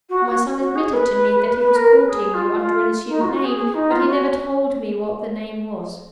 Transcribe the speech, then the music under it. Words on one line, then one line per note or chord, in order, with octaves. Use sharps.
My son admitted to me that he was courting you under an assumed name, but he never told me what the name was.
F#4
F#4
F#4
G#4
B4
B4
A#4
B4
G#4
F4
F4
D#4
F#4
F4
F#4
G#4
G#4
D#4
F4
F#4